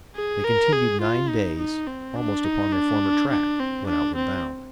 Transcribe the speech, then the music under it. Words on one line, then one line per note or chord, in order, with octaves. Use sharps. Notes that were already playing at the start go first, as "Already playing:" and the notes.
They continued nine days almost upon their former track, when outward bound.
G#4
A#4
G#4
F4
D#4
D#4
C4
D4
D#4
D4
D4
C4
D4
C4